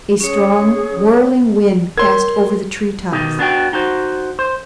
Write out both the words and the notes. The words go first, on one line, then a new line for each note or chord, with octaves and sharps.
A strong, whirling wind passed over the tree-tops.
C#4 G#4 C#5
A#4 C#5 C6 G#6
B2 D#3 D#4 G4
B3 D4 F#4 G5
D#4 F#4 C5
C5